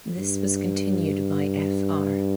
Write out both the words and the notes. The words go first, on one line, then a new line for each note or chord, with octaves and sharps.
This was continued by Fr.
G2